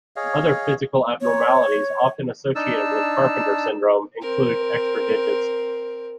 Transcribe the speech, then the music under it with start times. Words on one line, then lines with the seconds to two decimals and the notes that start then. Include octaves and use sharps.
Other physical abnormalities often associated with Carpenter Syndrome include extra digits.
0.16 G#4 C#5 D#5 F5
1.21 C#5
2.55 D4 D#4 A5 E6
4.22 C4 A#4